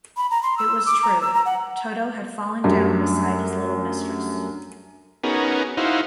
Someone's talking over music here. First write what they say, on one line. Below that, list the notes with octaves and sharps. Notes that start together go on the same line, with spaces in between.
It was true; Toto had fallen down beside his little mistress.
B5
A#5
C6
E6
D6
A#5
E6
A#5
F#5
F#2 G3 A3 D4 F#4
B3 C#4 D#4 F#4 G#4 A#4
D#4 E4 F#4 C5 F5